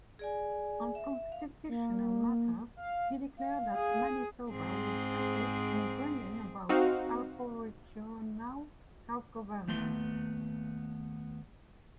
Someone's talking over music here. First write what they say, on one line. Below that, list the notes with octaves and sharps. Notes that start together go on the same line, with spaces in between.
On constitutional matters, he declared that Manitoba would assist in bringing about aboriginal self-government.
G#4 D5 G#5
E5
F5
A#3
F5
F5
G#4
G#2 C4 G#4
C4 D#4 F#4 F5
D#2 A3 B3 C6